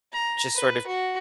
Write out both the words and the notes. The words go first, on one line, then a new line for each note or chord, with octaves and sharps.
just sort of
A#5
B4
F#4